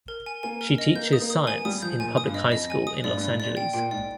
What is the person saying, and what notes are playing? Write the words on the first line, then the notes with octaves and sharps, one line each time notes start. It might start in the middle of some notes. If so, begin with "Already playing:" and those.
She teaches science in public high school in Los Angeles.
A#4
G#5
A#3 G#5
A#4
D#5
A#3 G6
D#6
A#3
D#6
A#3 G#5
G3 D#6
F3 G6
A#2 G#5
D#6
G2
D#5
F2 D#5
G#5
D#6
G2 D5
G2
D5
G#2
A#2 D5
G5
A#2 G5
G#2 D5